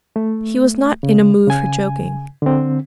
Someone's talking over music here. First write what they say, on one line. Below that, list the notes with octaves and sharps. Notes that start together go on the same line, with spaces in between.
He was not in a mood for joking.
A3
C#3
C#3 G#5
D3 C4